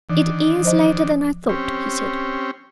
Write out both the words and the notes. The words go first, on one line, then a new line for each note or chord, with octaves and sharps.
"It is later than I thought," he said.
D#3 E3 D4
F3 C5 D#5
C4 C#4 G4